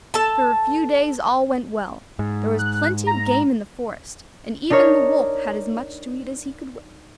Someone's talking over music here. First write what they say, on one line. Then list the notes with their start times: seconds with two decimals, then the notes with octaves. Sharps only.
For a few days all went well; there was plenty of game in the forest, and even the wolf had as much to eat as he could wish.
0.14 A4 A5
2.19 G#2
2.59 F#6
3.07 A#5
4.70 D4 D#4 A#4 C#5